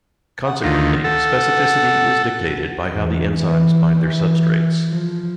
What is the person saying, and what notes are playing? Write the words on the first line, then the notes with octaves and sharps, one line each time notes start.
Consequently, specificity is dictated by how the enzymes bind their substrates.
F#5
D2 D#3 F4
A4 F#5
E2
E3
E3
F3